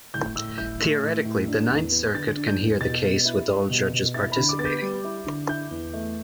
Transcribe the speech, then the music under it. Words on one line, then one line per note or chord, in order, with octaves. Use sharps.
Theoretically, the Ninth Circuit can hear the case with all judges participating.
A2 G6
A2 E6
E4 G6
A3
A2
A2
D4
E2
B3
G6
D3 A6
D4
G6
E2
B2 A6
B2
E4
G3
B2
B2
E4 A6
D3 B5
D6
B3 A6
G6
G3
E4
D3
E4 G6
E2
A3